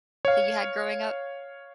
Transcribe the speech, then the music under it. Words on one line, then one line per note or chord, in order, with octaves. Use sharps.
that you had growing up?
C#5 F5